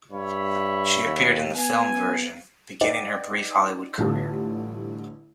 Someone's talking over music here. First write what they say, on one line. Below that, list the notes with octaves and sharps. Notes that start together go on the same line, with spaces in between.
She appeared in the film version, beginning her brief Hollywood career.
G2 C#5 E5 B5
D#2
B3 G#5
D#4 B4 D5 F#5 G5
A1 A2 D3 G3 F4 A5